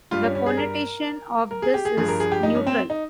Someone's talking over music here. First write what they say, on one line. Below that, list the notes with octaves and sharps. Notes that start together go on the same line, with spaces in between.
The connotation of this is neutral.
G2 G3 F4
C#4
C#4
G#4
A#4
A#4
G#4
G4
G#4
G2 F3 G#4
A#4
G#4
G4
D#4
C#4
C4
D#4